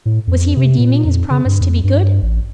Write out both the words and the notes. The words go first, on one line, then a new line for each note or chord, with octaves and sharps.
Was he redeeming his promise to be good?
A2
F2
C3
A#2
F2
C#3
G2
F2
G2
A1